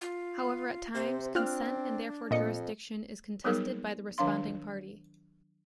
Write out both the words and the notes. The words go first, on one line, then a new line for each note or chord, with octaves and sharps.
However, at times consent and therefore jurisdiction is contested by the responding party.
F4
C3 C5
C4 D4 F4 F6 F#6
F2 A#2 D#5 C#7
F#3 G3 B3 D#4 G#4 A#4
D#3 F#3 D4 F5 C6